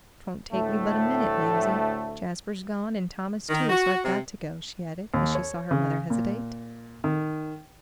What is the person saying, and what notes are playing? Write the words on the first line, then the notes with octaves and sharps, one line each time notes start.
"Twon't take me but a minute, mamsie; Jasper's gone, and Thomas, too, so I've got to go," she added, as she saw her mother hesitate.
D2 A2 A3
D#3
F#4
C3
D#2
C#5
C#3
A#2
D#3